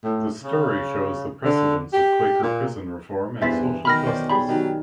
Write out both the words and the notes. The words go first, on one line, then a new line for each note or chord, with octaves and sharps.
The story shows the precedence of Quaker prison reform and social justice.
A2
C#3
D3
G4
A#2
E2 G2 E3 C5 E5 A6 B6
B1 D#3 B5 F6 A#6
C#4 C5 D5
G3 G#4 B5
D#3 F#3